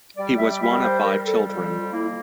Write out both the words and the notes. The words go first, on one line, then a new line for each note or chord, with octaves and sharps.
He was one of five children.
G3 D5
E5
D5
G3 E5
A#4
C5
G3 A#4
A4
F2 A4
F4
A#3 E4